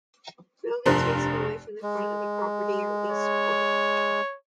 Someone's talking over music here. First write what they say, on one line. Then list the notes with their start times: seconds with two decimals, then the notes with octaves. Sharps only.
Buildings facing away from the front of the property are the least important.
0.86 F1 G2 F3 A#4 C6 F#6
1.83 G#3
3.10 C#5